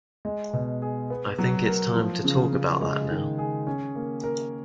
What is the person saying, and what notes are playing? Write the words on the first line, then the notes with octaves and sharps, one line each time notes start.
I think it's time to talk about that now.
G#3
B2
G#4
B3
F#3
A#4
F3
C#3
C#3
G#3
D#3
G#4
C#4
A#3
A#4